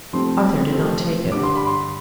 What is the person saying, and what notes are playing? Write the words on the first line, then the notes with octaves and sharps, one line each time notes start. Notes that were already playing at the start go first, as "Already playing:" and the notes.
Arthur did not take it.
C3 F3 A3 C4 C6
C3 F3 A3 C4
G2 D3 G3 D6
C6
B5
C6